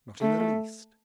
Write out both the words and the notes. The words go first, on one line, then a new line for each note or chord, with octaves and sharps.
"Not in the least."
A3